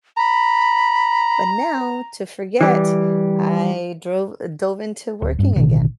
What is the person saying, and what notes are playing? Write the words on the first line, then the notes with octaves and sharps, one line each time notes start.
but now to forget, I drove dove into working again.
A#5 B5
E3 G3
D1
G2 C#4
A1 B2 D3 D#3